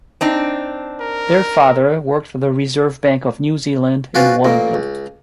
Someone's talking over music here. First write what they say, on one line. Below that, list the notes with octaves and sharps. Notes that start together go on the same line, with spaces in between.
Their father worked for the Reserve Bank of New Zealand in Wellington.
C4 D4 D#4
A#4
C#4 D4 F4 F#4 B4 C5
A1 A#2 A#3
C#2